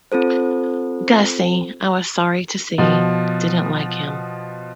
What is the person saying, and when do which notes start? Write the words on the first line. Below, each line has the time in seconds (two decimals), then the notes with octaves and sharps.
Gussie, I was sorry to see, didn't like him.
0.12 C4 F4 A4 C5
2.78 B2 F3